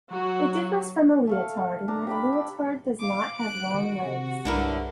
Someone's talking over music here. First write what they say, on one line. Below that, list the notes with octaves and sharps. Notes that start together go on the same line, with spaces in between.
It differs from a leotard in that a leotard does not have long legs.
F#3 F#4
A3 A4 F5
D4 A5 A#5
G4 D5 B5
E6
F5 D6
F#6 D7
D#3 F#4
C3
C2 G2 D3 E4 A#4